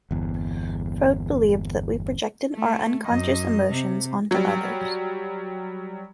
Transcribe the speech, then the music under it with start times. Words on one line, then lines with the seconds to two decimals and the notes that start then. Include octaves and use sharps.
Freud believed that we projected our unconscious emotions onto others.
0.11 G1 E2
2.54 A3
3.06 F#2 D#5
3.70 C3
4.31 F#3 G3